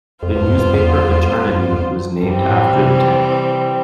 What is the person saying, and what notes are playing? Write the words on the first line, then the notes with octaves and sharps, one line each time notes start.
The newspaper "Eternity" was named after the tag.
F2 G3 B3 F4 C5
G2
F2
G2
E2
E2
F2
G2
F2
G2 E3 G3 C4
A2
C3